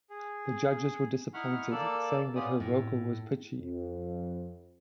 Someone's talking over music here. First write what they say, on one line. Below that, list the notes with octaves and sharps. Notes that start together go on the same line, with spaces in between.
The judges were disappointed, saying that her vocal was pitchy.
G#4
D#4 E4 F#5 B5 C#6 F6
A#3 A4 D5 E6
B3 C#4 F4 G4 D5 D#6
A2
F2